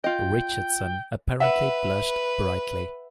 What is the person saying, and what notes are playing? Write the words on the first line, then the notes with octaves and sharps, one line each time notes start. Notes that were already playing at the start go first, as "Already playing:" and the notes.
Richardson apparently blushed brightly.
F4 D#5 G5
B4 E5 F#5